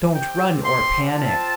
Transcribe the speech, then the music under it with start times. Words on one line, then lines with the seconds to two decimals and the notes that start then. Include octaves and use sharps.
Don't run or panic.
0.15 C4 G4 G5
0.65 C6
1.16 C4 F4 A5